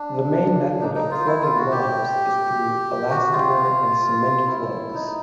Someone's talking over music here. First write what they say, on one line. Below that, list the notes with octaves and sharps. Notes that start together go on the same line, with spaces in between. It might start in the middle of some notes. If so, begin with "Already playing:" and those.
The main method of plugging wells is through elastomer and cement plugs.
Already playing: D4
D#4
D#4
F4
E4
F4
F#4
G4
F#4
F4
E4
D#4